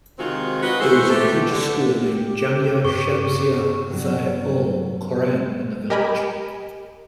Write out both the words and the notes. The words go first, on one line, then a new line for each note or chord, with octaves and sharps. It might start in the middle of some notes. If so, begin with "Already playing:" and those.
There is a religious school named Jamia Shamsia Zia Ul Quran in the village.
C3 D#3 G#3 C4 F4 F#4
F#4 B4 D#5
E3 G#3 F#4 A4 C5
A3 G4
D3
G4
G2 C#6
G2 F#3
G4 A#4 D#5 G#5 B5